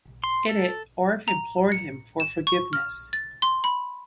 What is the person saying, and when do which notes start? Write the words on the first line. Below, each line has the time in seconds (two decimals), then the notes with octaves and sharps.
In it, Orff implored him for forgiveness.
0.24 C6
0.49 A4
1.28 A#5
1.72 C#7
2.20 E7
2.47 C#6
2.73 F6
3.13 A6
3.42 C6
3.64 B5